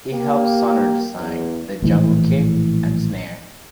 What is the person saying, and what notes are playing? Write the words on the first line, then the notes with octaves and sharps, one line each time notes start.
He helped Sonor design the Jungle kit and snare.
A#3 G4
E2
A#1 A2 D#3 E3